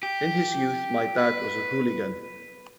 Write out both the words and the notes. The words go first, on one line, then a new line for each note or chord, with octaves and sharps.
In his youth my dad was a hooligan.
G4
B4